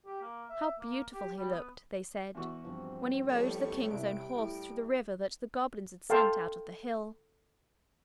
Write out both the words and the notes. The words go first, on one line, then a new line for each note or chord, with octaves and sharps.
How beautiful he looked, they said, when he rode the king's own horse through the river that the goblins had sent out of the hill!
G4
A#3
E5
A#3
G4
G3
B3
E2 F#4
G2 F3 C4
F2 A2 G3 B3 C#4 C#6
C2 G3 E4 D7
A2
A4 F5 G5 A5 C6